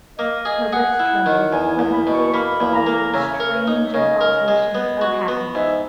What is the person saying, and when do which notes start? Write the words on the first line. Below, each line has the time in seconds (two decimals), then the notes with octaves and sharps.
Her lips trembled; but her face glowed with a strange exaltation of happiness.
0.19 A#3 D#5
0.45 G#4 D#5
0.72 G#4 F#5
1.00 E4
1.26 D#3
1.52 E2 G#5
1.79 E2
1.93 B5
2.07 B2
2.13 C#6
2.27 C#6
2.33 A#3 B5
2.60 E2
2.74 A#5
2.87 A#3
3.14 C#3 E5
3.33 C#5
3.40 A#4
3.54 B4
3.67 D#4
3.74 C#5
3.86 E5
3.94 C#3 D#5
4.21 A#4
4.48 G#3
4.75 B3
5.01 F#4
5.28 B3
5.55 G#2 E5